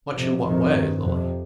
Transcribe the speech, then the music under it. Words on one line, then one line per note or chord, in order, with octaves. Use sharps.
"Much in what way, Lily?"
F2 C3
F2 C3 D#3
G2
F2 C3